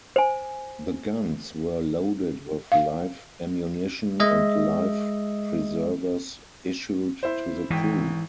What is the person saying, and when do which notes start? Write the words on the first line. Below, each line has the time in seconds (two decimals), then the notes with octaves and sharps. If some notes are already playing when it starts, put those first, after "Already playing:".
The guns were loaded with live ammunition and life preservers issued to the crew.
0.16 C5 G#5
2.72 F5
4.20 G#3 D#5 E5
7.23 E4 C5
7.70 G#1 E3 G5